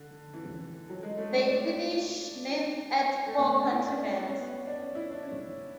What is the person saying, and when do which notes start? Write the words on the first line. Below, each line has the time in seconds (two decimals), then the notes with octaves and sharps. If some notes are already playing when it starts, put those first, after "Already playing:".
They finished ninth at Four Continents.
Already playing: D3
0.34 E3
0.89 F#3
1.03 G#3
1.17 A3
1.31 C#4
1.46 D4
3.26 A3
3.38 B3
3.48 C#4
3.58 D4
3.70 E4
3.84 D4
3.98 D4
4.07 C#4
4.12 D4
4.26 C#4
4.40 B3
4.67 D4
4.82 C#4
4.95 E4
5.10 D4
5.23 C#4